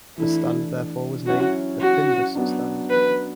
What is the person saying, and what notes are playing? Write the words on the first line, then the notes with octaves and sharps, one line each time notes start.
The stand therefore was named the "Findus Stand".
E3 A3 D4 E4
F#3 C#4 E4 F#4
F#4
F#3 B3 D4
B4